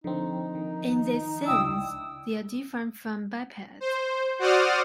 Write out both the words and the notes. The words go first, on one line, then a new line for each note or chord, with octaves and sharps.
In this sense, they are different from bipeds.
D3 F3 C4 D#4
D#3
C#2 D4 E4 G5 D#6 E6
C5
F#4 C5 D5 F#5 D#6 F6